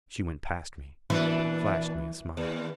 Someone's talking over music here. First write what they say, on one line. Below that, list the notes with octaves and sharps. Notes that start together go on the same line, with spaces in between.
She went past me, flashed me a smile.
A#2 E3 D4
D#2